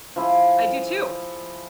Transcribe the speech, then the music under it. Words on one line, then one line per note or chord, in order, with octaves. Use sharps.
I do too.
F3 E4 G#4 F5